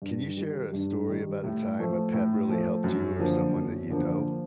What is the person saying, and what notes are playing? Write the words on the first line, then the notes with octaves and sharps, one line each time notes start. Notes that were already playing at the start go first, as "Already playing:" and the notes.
Can you share a story about a time a pet really helped you or someone that you know?
G2
D#3 G3
G2
D#3 G3
A2
F3 A3
A2
F3 A3
F#2
D3 F3 A#3
F#2
D3 F3 A#3
F3